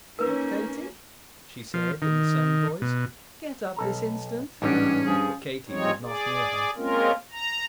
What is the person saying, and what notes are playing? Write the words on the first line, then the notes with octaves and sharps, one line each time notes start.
"Katie," she said, in the same voice, "get up this instant." But Katie did not hear her.
A#3 C#4 D#4 A#4 B4
F3
D#3
B2
B1 A4 A#5
A1 G#2 F#3 G3 B3 C#4 D4
G2 F3 G#4
F3 G3 G#3 C4 D#4 C#5
G#4 D5
G#3 A#3 C4 C#4 F4 A#4
A#5